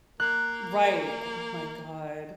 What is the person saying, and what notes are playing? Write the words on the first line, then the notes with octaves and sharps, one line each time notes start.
Right. Oh my god.
A#3 F#6